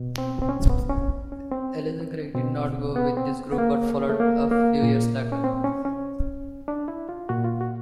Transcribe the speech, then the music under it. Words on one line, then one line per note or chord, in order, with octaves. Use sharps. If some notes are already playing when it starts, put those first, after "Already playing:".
Elijah Craig did not go with this group but followed a few years later.
Already playing: B2
C4
C4
C#4
B3
C#4
C#4
C4
B2 C4
B3
C4
B3
A#3
A3
A#3
A#3
A#2
C#4
C4
C#4
C#4
D4
E4
F4
A#2 F#4
F4
F#4